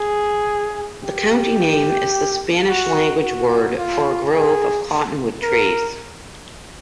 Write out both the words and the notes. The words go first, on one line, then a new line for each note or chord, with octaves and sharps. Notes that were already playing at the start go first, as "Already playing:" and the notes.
The county name is the Spanish language word for a grove of cottonwood trees.
Already playing: G#4
G4
F#4
F#4
F4
G#4
A#4